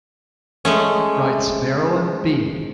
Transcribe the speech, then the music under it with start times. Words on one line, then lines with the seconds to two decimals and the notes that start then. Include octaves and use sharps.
Writes Marilyn B.
0.65 G#3 A3 C#4